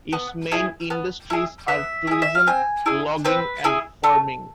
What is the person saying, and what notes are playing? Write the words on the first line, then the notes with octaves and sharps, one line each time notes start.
Its main industries are tourism, logging and farming.
B3
E4 G#4
B3
E4 G#4
B3 E5
E4 G#4
E5
F5
C4 G#5
E4 G#4
C4 B4
E4 G#4
A3